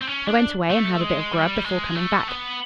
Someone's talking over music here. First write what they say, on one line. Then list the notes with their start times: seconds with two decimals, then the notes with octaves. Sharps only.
I went away and had a bit of grub before coming back.
0.01 C4
0.07 C#4
0.27 D4
0.70 A3
1.01 G#3
1.33 G3
1.64 G#3
1.95 A3
2.28 B3